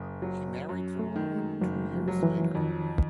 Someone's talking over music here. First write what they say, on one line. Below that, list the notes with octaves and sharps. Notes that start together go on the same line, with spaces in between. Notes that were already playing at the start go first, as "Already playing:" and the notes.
He married Verrone two years later.
Already playing: F#1
F#3
F#2
A3
D#3
G#3
F#1 F#3
F3
F#3
E3
F2 D#3